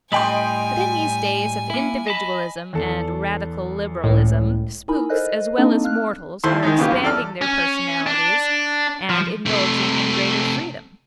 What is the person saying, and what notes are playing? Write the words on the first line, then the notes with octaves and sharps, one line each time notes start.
But in these days of individualism and radical liberalism, spooks as well as mortals are expanding their personalities and indulging in greater freedom.
A2 G3 D#5 G5 G#5 B5 C6
A#3 E4
D#5 A5 B5
E2 A4
C#2 A2
D#4 E4 A#4 G#5 B5
A4 A#4 C5 D#5 F#6
A#3 C4 D4 D#4 A4 D#5
F5 F6 F#6
D#2 E4 A4 C5 C6
D#3 G#3 D#4
C#3 A#3 B3 F4 G4
F#2
E2 A4 D5 F6
C#4
D4
F3
C3 A3